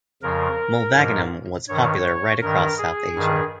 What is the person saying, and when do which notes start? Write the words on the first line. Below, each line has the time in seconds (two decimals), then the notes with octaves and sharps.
Mylvaganam was popular right across South Asia.
0.22 F2 C#3 F3 A#4
0.95 G#2 F3
1.68 G2 D#3 C#5
2.41 G2 D#3 A#4
2.78 G#4
3.15 G2 D#3